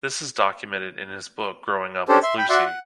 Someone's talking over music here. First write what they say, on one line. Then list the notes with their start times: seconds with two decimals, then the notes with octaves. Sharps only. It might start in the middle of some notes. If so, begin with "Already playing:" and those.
This is documented in his book "Growing up with Lucy".
2.09 C#4 D4 G4 A4 C5
2.23 E5 C6
2.38 G5 B5
2.49 F#4 D5 E5 F#5 C6
2.65 F#5